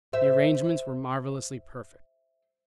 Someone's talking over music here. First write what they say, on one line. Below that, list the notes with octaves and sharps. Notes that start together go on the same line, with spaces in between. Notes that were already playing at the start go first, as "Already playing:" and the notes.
The arrangements were marvelously perfect.
C5 E5